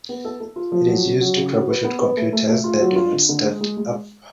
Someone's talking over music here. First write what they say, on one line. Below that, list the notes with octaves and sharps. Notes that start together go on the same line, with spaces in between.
It is used to troubleshoot computers that do not start up.
B3
A4
A4
F4
F3
F#3
C#3
F#3
C#3
F#4
B4
B3
B4
A3
A3
A3
F4
F#3
F4
D3
D3
G#3
G#3
G#3